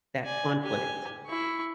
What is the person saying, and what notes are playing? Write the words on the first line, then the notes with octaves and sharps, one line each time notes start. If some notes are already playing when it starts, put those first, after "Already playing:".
that conflict.
D5 G#5
G4 G#5
E4 C#6